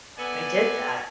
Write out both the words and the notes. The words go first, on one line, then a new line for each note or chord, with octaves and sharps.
I did that.
B3 A4 D5 G#5